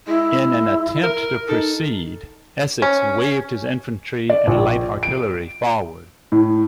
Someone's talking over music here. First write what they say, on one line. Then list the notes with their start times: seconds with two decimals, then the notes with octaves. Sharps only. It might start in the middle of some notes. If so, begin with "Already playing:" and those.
In an attempt to proceed, Essex waved his infantry and light artillery forward.
0.08 G#3 E4
1.03 A#4
1.49 D#4 A4
2.82 C#4
4.30 D5
4.47 A#1
5.03 D7
6.32 A2